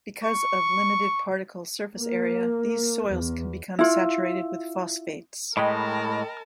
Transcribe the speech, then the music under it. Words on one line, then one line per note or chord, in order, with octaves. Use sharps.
Because of limited particle surface area, these soils can become saturated with phosphates.
C#6
A#3
E2
E4 F4
A2 G#3 A#4 D#5 G5 A5 B5